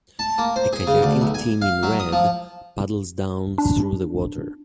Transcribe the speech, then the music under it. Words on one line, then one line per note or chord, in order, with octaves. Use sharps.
A kayaking team in red paddles down through the water.
A5
A#3
C5
G#4
C#3
D2
B1
G#5
F5
F#3
D#6
F3
D4